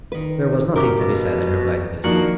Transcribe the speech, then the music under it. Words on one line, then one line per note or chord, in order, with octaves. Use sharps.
There was nothing to be said in reply to this.
D#3 B4
C#3 F#4 G4 A#4 D6
B2
D#3 F3 A#3 D4 F#4